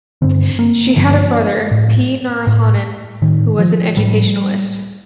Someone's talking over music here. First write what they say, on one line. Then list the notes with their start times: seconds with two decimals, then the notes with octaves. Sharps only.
She had a brother P. Narayanan who was an educationalist.
0.22 G2 D3 C4
0.59 A#3
0.96 G2 D3 F3
1.71 A2
2.47 A2
3.22 A2 D#3
3.59 F3
3.97 A2 G3